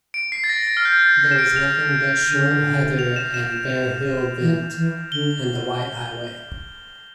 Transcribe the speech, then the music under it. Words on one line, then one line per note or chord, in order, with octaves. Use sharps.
There was nothing but short heather, and bare hill bent, and the white highway.
D7
C7
A6
A#6
A#6
A6
F6
G6
G6
A6
C7
E7
D7
F7
D3
F7
E7
E7
E7
F7
E3
E3
D3 G7